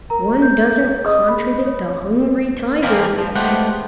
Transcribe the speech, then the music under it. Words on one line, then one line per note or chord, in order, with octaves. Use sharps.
One doesn't contradict a hungry tiger.
A#4 A#5
G6
G#4 D#5 D#6
B5
C#5
E3 F3 A#3 C4 E4 F4
G2 F3
G#3 A3 B3 G4 C5 F#5